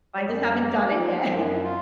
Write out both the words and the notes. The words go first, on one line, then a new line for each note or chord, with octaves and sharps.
But I just haven't done it yet.
C#5
F#2 D#5
F5
A#3
D#5
D#4
F3 F4
F#2
F4